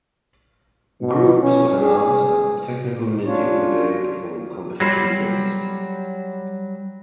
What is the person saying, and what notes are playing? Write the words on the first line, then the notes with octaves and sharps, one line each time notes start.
Groups was announced at the technical meeting the day before the competition begins.
B2
C#4
G#4
C#4 D4 F4 C#5
F#3 G3 C5